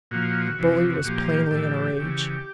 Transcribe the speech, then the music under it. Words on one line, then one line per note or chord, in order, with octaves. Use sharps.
The bully was plainly in a rage.
A#2 F3 F#4
F2 C3 E3
A#2 F3 G4
A2 E3
C#3 E3